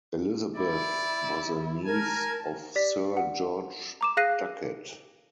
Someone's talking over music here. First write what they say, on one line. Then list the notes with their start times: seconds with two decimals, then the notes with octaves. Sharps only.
Elizabeth was a niece of Sir George Duckett.
0.56 E4 D5
1.86 A#4 G#5 A5
2.75 G4 D5 B6
3.17 F#5
4.01 A#5 D6 E7
4.17 G#4 F5 F#6 A#6 C7 D#7